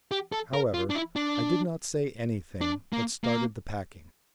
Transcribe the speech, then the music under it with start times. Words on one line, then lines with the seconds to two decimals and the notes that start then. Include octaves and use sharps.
However, I did not say anything, but started the packing.
0.11 G4
0.32 A4
0.53 A#4
0.74 F4
0.90 D4
0.95 E4
1.16 D4
2.61 D4
2.93 A#3
3.24 A#3